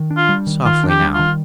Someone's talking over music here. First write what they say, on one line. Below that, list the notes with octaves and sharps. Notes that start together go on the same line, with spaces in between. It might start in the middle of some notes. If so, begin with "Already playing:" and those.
Softly now.
Already playing: D#3
D4
F4
G3
D#3
D#3 F4
D4
G4
G3
F4
D#3